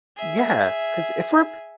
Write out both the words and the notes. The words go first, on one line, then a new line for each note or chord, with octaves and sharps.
Yeah, 'cause if we’re
G#4 E5